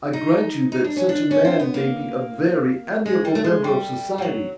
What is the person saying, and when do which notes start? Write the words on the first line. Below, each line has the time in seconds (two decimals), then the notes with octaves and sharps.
I grant you that such a man may be a very amiable member of society.
0.13 D#4
0.72 D#4
0.84 D4
0.96 C#4
1.09 D4
1.31 C#4
1.45 C4
1.60 B3
1.74 A#3
3.06 G#3
3.25 G3
3.35 A3
3.44 G#3
3.64 G3
4.18 G3
4.22 F#3